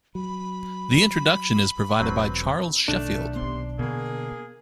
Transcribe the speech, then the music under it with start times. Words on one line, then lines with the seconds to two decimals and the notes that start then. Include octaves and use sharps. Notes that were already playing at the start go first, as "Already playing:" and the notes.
The introduction is provided by Charles Sheffield.
0.15 F#3 B5
2.00 E1 F#3 C4 B4
2.88 B1 D#3 A3 D4
3.36 C3 B3 C6
3.79 B2 D3 A#3 B3 G#4